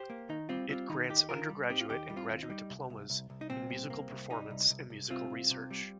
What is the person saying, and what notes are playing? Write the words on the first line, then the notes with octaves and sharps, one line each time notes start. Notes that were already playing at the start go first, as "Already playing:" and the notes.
It grants undergraduate and graduate diplomas in musical performance and musical research.
Already playing: G4 C5
A#3
D#3 D#4
G3 C4 F4
G3 C4 F4
D#3 D#4
D#2 D#4 G4
D#3 F4 A#4
G3
C4 D#4 G4
F4
D#2 D#4 G4
G3
C4 F4
D#2
D#4
G3
C2
C2
C2
C2
D#4
A#2 C4
C2
A#3
C2
G3 D#4
C2
C2
C2
C2 C4 F4
C2
C3
G3